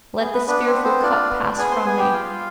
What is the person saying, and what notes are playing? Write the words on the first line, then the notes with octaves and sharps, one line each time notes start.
Let this fearful cup pass from me!
B3 G#4
B3 B4
B3 D4 B4
C4 C5
B3 B4
C4 C5
D4 F4 D5
B3
B3 G#4 G#5
C5 C6
B3 G#4 G#5
G4 G5
F4 F5